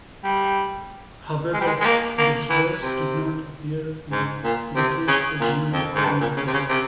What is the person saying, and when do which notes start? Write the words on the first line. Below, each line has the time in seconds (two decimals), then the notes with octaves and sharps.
However, this verse did not appear in Guthrie's original recording of the song.
0.24 G3
1.54 G#3
1.61 G3
1.67 G#3
1.81 G#3
1.85 A#3
2.18 A#3
2.50 E3
2.82 C3
4.12 G#2
4.44 A#2
4.76 C3
5.08 C#3
5.40 A#2
5.73 F2
5.95 G#2
6.05 G2
6.21 A#2
6.37 C#3
6.47 C3
6.53 C#3
6.69 C3